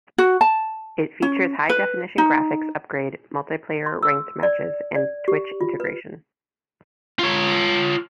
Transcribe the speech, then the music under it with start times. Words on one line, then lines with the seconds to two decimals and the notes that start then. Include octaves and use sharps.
It features high definition graphics upgrade, multiplayer ranked matches, and Twitch integration.
0.18 F#4
0.41 A5
1.22 C#4
1.69 B4
2.18 D#4
3.86 C6
4.03 E6
4.43 D5
4.96 D5
5.28 G4
5.61 F4
5.80 B4
7.19 F4 C#5